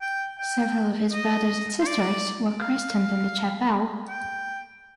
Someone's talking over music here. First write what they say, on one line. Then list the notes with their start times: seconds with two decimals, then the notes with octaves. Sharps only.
Several of his brothers and sisters were christened in the chapel.
0.01 G5
0.38 G5
1.13 D#5
1.81 C5
1.87 D5
2.61 F5
4.09 G5